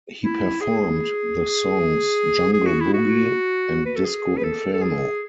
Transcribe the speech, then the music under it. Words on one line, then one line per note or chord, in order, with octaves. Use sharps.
He performed the songs "Jungle Boogie" and "Disco Inferno".
E4
G#4
G#4
F#4
E4
F#4
B4
A4
G#4
B4
A4
A4
G#4